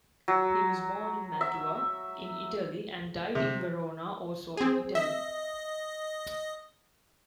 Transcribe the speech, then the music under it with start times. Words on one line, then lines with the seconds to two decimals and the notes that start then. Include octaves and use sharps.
He was born in Mantua, in Italy and died in Verona, also in Italy.
0.28 F#3
1.41 E5
3.35 C3
4.57 C4 G#4
4.95 D#5 E5